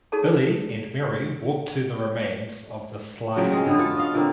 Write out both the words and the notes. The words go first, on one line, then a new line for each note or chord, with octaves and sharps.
Billy and Mary walk to the remains of the Slide Inn.
D#4 F#4 G#4 A4 C#5 A5
C#3 F#3 F4 G5
G#3 C4
D3 B3
F4 F#4 A4 C#5
D#5 F5
A#2 D3 A#3 C4